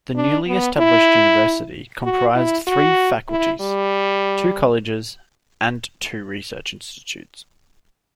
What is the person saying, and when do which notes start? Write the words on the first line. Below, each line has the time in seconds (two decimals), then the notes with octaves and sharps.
The newly established university comprised three faculties, two colleges, and two research institutes.
0.16 D4
0.47 B3
0.79 E4
2.04 F#4
2.35 E4
2.67 F#4
3.30 E4
3.61 G3